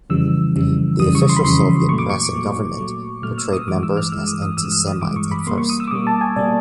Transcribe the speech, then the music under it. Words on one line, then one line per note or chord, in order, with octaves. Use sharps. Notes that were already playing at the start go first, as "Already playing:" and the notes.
The official Soviet press and government portrayed members as anti-Semites at first.
F2 C#3 E3 G3 E6
F2 C#3 E3 G3
F2 C#3 E3 G3 D#6
C#6
C6
B5
F2 C#3 E3 G3 C6
A#2 F#3 A3 C#6
D6
C#6
A#2 F#3 A3
A#2 F#3 A3
A#2 F#3 A3 F6
E6
D#6
G2 E3 G#3 D6
E6
F6
G2 E3 G#3 E6
D#6
D#6
G2 E3 G#3 E6
E6
D#6
G2 E3 G#3 D6
C#6
B5
B2 G3 A#3 C6
C#6
D#6
E6
D6
B2 G3 A#3 D#6
A5
G#5
B2 G3 A#3 D5